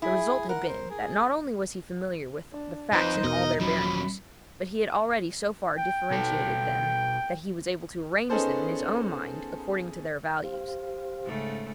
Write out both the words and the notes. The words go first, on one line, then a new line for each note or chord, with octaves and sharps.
The result had been that not only was he familiar with the facts in all their bearings, but he had already so far differentiated them that he was able to arrange them in his own mind according to their values.
E4 G#4
A#4 F#5
C5
G#4
D4
F2 D#4 B4 C5
E1 B2 A#4 D#5
D#1 F3 F#3 C#4 B5
G5
B2 A4
B3 C#4 D#4 G#4 A4 C5
G4 C5 F5
G#2 C#3 A3